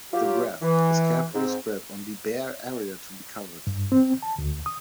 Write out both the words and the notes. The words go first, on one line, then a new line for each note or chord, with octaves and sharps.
The graft is carefully spread on the bare area to be covered.
F#3 F4 G4
E3
G#2 C4
G2
C4
A5
D2
D#6